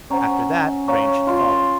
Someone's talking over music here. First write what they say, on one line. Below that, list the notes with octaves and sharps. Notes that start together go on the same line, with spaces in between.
After that rain should follow.
C#4 C5 F#5 A#5 C#6
C#5 F5 A#5 C#6
F4